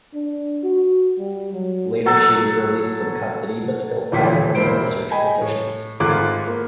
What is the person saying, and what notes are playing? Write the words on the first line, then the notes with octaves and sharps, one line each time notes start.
Later she was released from custody but still fired from her research positions.
D4
F#4
G3
F#3
F#3 A4
D#1 D2 A#2 E3 F3 B6
E1 A#3 E4 C5 D7
D#5 G5 G#5 B5
A2
G#1 A3 F4 G#4 D6 F#6
A#3